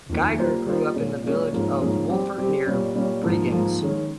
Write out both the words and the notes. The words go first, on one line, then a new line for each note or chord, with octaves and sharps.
Geiger grew up in the village of Wolfurt near Bregenz.
F2 D#3 A#3
G3 A#3 F4 C5
G3 A#3 F4 C5
A#2 G#3 C#4
A#2 G#3 C#4
G#2 F3 A#3 C#4 G#4
G#2 F3 A#3 C#4 G#4
G3 C4 G4
G3 C4 G4
A#2 G3 C#4
A#2 G3 C#4
G#2 F3 A#3
G#2 F3 A#3
D#3 G#3 C#4